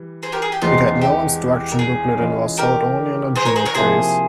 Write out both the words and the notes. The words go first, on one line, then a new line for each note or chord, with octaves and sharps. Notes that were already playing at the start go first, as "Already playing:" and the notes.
It had no instruction booklet and was sold only in a jewel case.
Already playing: E3 G3
G#4 C5
G4 A#4
G#4
G4
E2 E3 G#3 C4 F4
G4
A#4
G#4
E3 G#3 C#4 F4
G4 A#4
G#4 C5
A#4 C#5
G#4 C5
A#4 C#5
C3 F3 A#3 E4 G#4 C5